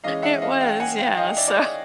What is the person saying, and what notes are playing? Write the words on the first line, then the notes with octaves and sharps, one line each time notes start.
it was, yeah, so,
E3 G#3 C#4 D#5 F5
E5 F#5
D#5 F5
F5 G5
F#5 G#5
F5 G5
D#5 F5
D5 E5
D5
C#5 D#5